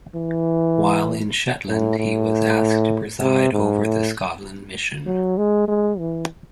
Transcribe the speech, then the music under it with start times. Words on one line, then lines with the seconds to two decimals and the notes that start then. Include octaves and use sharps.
While in Shetland he was asked to preside over the Scotland Mission.
0.15 E3
1.69 A2
1.99 A2
3.22 C3
3.53 G#2
3.84 A2
5.06 F#3
5.37 G#3
5.68 G#3
5.99 E3